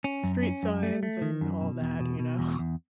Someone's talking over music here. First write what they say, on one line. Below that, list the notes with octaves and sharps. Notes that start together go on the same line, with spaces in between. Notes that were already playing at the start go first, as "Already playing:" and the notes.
street signs and all that, you know.
C#4
F#2
C#4
F#2
A3
A3
D#3
F#2
B2
E2
B2
B2
E2
E2